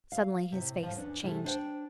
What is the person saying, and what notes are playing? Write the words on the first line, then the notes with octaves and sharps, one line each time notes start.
Suddenly his face changed.
F5
A2 C3
A2 F3
E2 C#4 D4
C3 E3 G3 A3 G#4
D4 E4 C5 G5